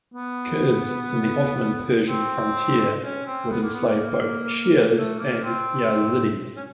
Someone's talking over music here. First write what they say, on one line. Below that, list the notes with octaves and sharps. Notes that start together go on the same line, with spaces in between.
Kurds in the Ottoman–Persian frontier would enslave both Shias and Yazidis.
B3
C4
C#4
C4
B3
A#3
B3
A#3
A3
A#3
C4
C#4